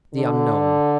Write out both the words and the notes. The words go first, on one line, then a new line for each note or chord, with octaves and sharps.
The Unknown.
D3